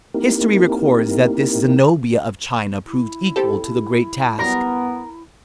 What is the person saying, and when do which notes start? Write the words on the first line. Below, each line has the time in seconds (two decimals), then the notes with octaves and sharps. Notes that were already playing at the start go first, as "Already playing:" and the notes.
History records that this Zenobia of China proved equal to the great task.
0.14 A#3 C4 D#4 E4 G4 A#4
2.86 E4
3.36 C4 G4 A4
4.39 F#2 G3 B3 A#4